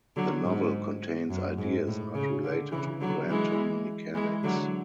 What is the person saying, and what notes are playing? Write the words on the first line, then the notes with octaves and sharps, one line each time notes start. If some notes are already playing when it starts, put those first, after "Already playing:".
The novel contains ideas not related to quantum mechanics.
D3 F#3
G#2
F#2
G#2
A2
C#3
D3
C#3 E3
D3 F#3
E3 G#3
E3 G#3
D3 F#3